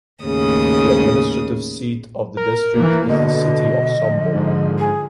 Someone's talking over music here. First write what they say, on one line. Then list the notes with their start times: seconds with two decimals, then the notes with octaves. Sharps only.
The administrative seat of the district is the city of Sombor.
0.25 D#2 A2 C#3 D#6
2.37 A#4
2.74 E3 A#3
3.09 B2 D3 D#5
3.94 D3 F3
4.35 G#2
4.79 G#4